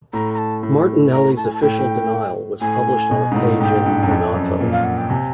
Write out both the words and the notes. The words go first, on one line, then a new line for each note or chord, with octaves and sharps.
Martinelli's official denial was published on a page in "Monato".
A2 A#5
A#5
A5
A2
A#5
A5
G#5
A5
A2 G5
A2 G#5
B2
G#2
A2
G#2 G5
G2
F#2
F2
F#2
A#2
F5
F#5
G5
C3 G#5